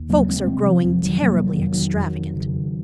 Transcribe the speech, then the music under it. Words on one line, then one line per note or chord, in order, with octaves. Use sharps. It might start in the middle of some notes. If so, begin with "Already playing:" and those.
"Folks are growing terribly extravagant."
Already playing: D#2
C#3 F#3 A#3
G#3 C4
C3 G#3 C4
F3
F2 F3
D#3 F#3
C3 F#3 A#3
D#3 F#3
F2
D#3 F#3
F2
C#3